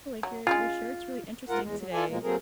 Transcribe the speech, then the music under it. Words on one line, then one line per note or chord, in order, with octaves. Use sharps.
like your your shirt's really interesting today."
F#3
C#3 G3 G#3 F4
G#2 F4 A#4 F#5
E2 G#3
F#3
F4 A4 D5 G#5
B2 F3 G#3 A#3
F#3 A3 A#3 C4 G#4 A#4